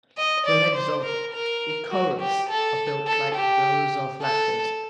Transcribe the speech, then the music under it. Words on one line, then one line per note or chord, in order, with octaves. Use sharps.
The legs of "Ekorus" are built like those of leopards.
D#5
D5
C5
A#4
A#4
F#4
G4
A4
A4
G4
A4